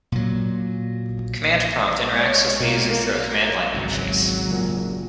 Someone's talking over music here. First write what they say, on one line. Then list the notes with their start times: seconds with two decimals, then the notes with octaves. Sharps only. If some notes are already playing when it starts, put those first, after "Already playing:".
Command Prompt interacts with the user through a command-line interface.
0.12 A#2 F#3
2.09 G#3 C#5
2.61 B2 A#3
3.16 A#4 F5
3.74 G#1 C#2 F#3
4.47 F#1 A#2